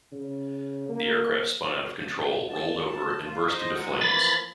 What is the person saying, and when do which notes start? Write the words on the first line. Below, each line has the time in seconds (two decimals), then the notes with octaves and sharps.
The aircraft spun out of control, rolled over, and burst into flames.
0.12 C#3
0.89 A#3
2.49 A5
3.26 F4
3.49 D#4 C5 D#5
3.75 F#3 G#3 F#5
4.01 E3 F3 A#3 B5 A6